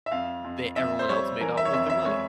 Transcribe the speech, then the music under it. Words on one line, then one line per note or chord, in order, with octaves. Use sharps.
They everyone else made out with their money.
E5
F2 F5
F2
F2 E5
C5
G3 C#5
E3 A#4
E5
C#5
F2 E5
E5
G#3 C#5